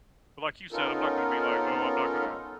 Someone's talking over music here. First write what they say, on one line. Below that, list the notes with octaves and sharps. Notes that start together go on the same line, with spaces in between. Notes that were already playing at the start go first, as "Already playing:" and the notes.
but like you said, I'm not gonna be like, "Oh, I'm not gonna
B3 C#4 D#4 F4 A4 A#4